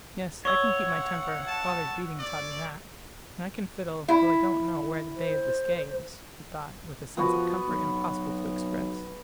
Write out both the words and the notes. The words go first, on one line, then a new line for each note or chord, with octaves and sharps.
"Yes, I can keep my temper father's beating taught me that; and I can fiddle, though I don't know where the Bay of Biscay is," he thought, with a sense of comfort impossible to express.
C#5 F#5 C#6 E6
A5
D5
E4
C5
F3 B3 F#4
B1